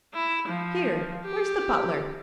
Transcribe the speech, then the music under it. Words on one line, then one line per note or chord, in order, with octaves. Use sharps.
'Here! where's the butler?
E4
F3
G4